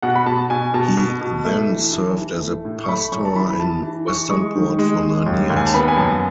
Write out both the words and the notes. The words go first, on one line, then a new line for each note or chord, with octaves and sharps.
He then served as a pastor in Westernport for nine years.
B2 F#5
B5
B2 A5
B2 G#5
B2 A5
B2
B2
A3
E3
E3
E3
A3
A2
C#6
A3 B5
F#2 C#6
A5
E3 B5
B5
E3 A5
E3
E3 C#6
G#3 C#6
D#3
G#3
G#3
D#2
D#2
G#5
A5
B3 B5
G#5
F#2 A5